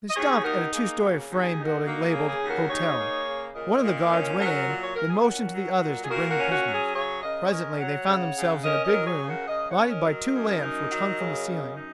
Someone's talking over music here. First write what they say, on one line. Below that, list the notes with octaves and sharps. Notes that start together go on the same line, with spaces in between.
They stopped at a two-story frame building labeled "Hotel." One of the guards went in, then motioned to the others to bring the prisoners. Presently they found themselves in a big room, lighted by two lamps which hung from the ceiling.
D#5
D#2 G#4 C#5
D#4 F#4 A#4
A#3 G#4
C#3 F#4
D#2
G#4
D#4
F#4 A#4
A#3 F#4
G#4
C#3
G#4
D#2
F#4 A#4
D#4 G#4 C#5
A#3
C#3
A#2 A#4 D#5
A#2
C#4
F#3 F#4 A#4
A#2
C#5
A#2 A#4
G#4
C#4 F#4 A#4
F#3
A#2
G#4
A#2 F#4 A#4
F#4 A#4
C#4
F#4
F#3
G#4
C#3 G#4 C#5
C#3 A#4 D#5
C#5
C#4 A#4 D#5
F#3 C#5 F#5
C#3
C#3
C#4 A#4 D#5
A#4 D#5
F#3
G#4 C#5
C#3
F#4 A#4
C#3 A#4 D#5
C#5 F#5
C#4
A#4 D#5
F#3
A#4 D#5
F#2
D#4
F#3
C#3
F#2
D#4